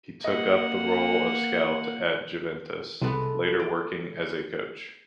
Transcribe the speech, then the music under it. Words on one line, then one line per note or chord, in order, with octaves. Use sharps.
He took up the role of scout at Juventus, later working as a coach.
A#3 D#5 F#5
C2 C3 G#3 A3 B3
D5